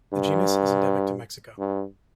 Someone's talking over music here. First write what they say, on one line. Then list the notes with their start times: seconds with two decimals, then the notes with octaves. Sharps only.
The genus is endemic to Mexico.
0.13 G2
1.59 G2